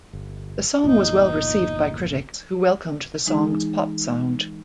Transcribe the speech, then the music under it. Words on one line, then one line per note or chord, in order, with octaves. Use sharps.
The song was well-received by critics, who welcomed the song's pop sound.
G1
G1 E2 A#2 D#4
E3 G#3 D#4 G#4